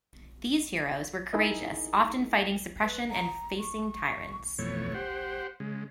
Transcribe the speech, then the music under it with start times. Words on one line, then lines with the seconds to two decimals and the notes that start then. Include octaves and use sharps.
These heroes were courageous, often fighting suppression and facing tyrants.
1.33 D#4 E4 G#4 A#4 D#5
2.80 B4
3.08 A#5
3.58 C#6
4.59 F2 B2 E3 A3 C#5
4.94 G4 C5 F#5
5.60 C#3 G#3